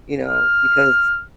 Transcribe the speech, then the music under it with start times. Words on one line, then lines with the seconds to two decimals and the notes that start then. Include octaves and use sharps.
you know, because
0.24 F6